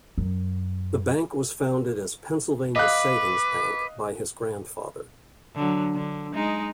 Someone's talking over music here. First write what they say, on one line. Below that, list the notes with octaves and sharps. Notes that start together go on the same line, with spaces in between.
The bank was founded as Pennsylvania Savings Bank, by his grandfather.
F#2
B4 D#5 F5 D6 F#6
D3 F#3
D3
G#3 D#4